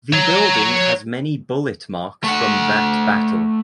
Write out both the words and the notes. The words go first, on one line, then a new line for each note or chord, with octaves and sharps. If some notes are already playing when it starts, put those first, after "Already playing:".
The building has many bullet marks from that battle.
C#5 A#5
A3 F#5